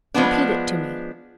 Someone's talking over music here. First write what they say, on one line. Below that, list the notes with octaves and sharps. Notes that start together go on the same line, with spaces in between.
"Repeat it to me."
F3 G#3 B3 D4